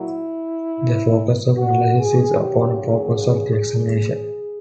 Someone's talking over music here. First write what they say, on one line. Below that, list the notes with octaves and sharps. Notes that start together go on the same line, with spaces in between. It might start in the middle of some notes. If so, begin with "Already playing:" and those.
The focus of analysis is upon the purpose of the examination.
Already playing: A#2 F#3 E4
F#4
G#4
D#2 C#3 F#3 G4
G#4